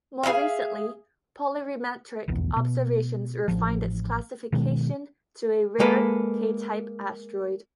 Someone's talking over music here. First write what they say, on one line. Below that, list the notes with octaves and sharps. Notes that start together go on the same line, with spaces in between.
More recently, polarimetric observations refined its classification to a rare K-type asteroid.
G#4 A4 E5 F5
F1 B1 E2
B2
A1 F3
B2 D#3 G#3
G#3 A#3 A4 B4